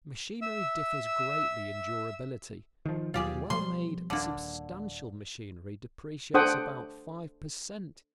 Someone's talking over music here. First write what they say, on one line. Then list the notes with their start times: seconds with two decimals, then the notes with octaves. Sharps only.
Machinery differs greatly in durability; well-made, substantial machinery depreciates about five per cent.
0.42 E5 E6
2.86 D#3 F3
3.14 D#2 B2 F#3 F4 G4 G#4
3.50 B2 F3 G3 C6
4.10 D#1 D3 A#3 D4
6.34 D4 A4 C5 F#5 G5 D#6